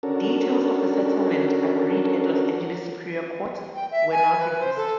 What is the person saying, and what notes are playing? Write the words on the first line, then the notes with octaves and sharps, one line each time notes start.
Details of the settlement, agreed at Los Angeles Superior Court, were not released.
C#4 D4 F#4 A4 A#4
G5
E5
G#5
B4
C5
A4